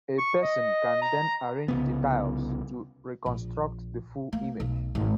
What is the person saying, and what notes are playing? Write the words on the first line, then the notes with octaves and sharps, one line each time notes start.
A person can then arrange the tiles to reconstruct the full image.
C#6
D#5
A#5
C2 C#3 B3
A#1
A#3
B1
G#1